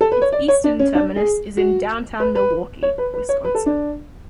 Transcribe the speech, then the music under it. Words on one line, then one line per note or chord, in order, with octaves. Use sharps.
Its eastern terminus is in downtown Milwaukee, Wisconsin.
A4
B4
C#5
D5
C#5
D4
C#4
D4
G#4
F#4
B4
B4
C#5
B4
B4
C#5
B4
A4
D4